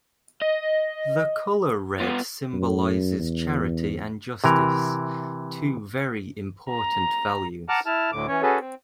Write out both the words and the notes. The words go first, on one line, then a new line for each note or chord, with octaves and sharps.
The colour red symbolizes charity and justice, two very important values.
D#5
B3 F4
F#2
E2
C3 E3 A#4
A#5
F#5 A5 A#5 D6 F6 F#6
E4 A5 F6
D2 A2 D3 D6
E3 C#4 C#5
C#4 F#4 G#4 A4 B4
C4